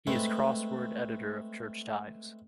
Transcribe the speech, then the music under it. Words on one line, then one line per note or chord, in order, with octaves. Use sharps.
He is crossword editor of "Church Times".
G#3 A3 C4 B4